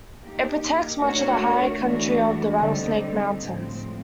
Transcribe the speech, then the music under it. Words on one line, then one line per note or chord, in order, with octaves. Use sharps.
It protects much of the high country of the Rattlesnake Mountains.
A#3 D#4 G4
A3 D4 F#4 A#4 C#5
E3 A3 D4 F#4
D3 G3 C4 D#4
A2 F3 G#3 C4